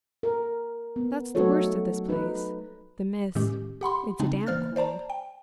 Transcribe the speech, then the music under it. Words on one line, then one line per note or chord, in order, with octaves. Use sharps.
That's the worst of this place--the mists--it's a damp cold.
A#4
B3
F#3 A3 D#4 F#4 A4 C#5
D#4 B4
A2 D#3 G#3 C#4 G4
G4 F#5 B5 C6
C#3 G#3 C4 D4 D#4
E3 A#3 C5 F6 A6
C5 D5 A5 A#5
G5